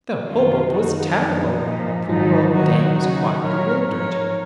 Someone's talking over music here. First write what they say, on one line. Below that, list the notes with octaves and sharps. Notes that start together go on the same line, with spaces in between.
The hubbub was terrible, and the poor old dame was quite bewildered.
F#2 D#3 F#3 C#4 F4
F#2 D#3 F#3 D#4 F#4
F#2 F3 D#4
A#2 F3
G#2 D#3 F#3 D#4
D#2 D#3 F#3 D#4 F#4
D#2 C#3 F#3 D#4 F#4
A#2 F#3 A#4 C#5
G#2 F3 A#4 C#5